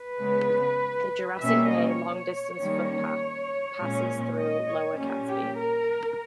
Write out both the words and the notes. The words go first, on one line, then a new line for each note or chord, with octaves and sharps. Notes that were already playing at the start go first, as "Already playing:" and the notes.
The Jurassic Way long-distance footpath passes through Lower Catesby.
Already playing: B4
C#3 G#3 B3
B2 G3 A#3 C#4 E5
D#5
C#5
D#3 G3 A#3 C#4
A#2 G#3 C#4
D#5
C#5
A#2 G3 A#3 C#4
G4
A#4